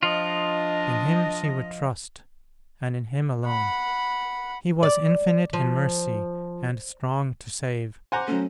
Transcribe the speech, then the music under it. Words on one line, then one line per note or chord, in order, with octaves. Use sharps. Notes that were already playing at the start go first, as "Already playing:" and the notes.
In Him she would trust, and in Him alone. He was infinite in mercy, and strong to save.
F3 D4 F4 D#5
F#5 B5
D5
F3
C5 F#5 G#5 A#5 D6
F#3 A3 C#4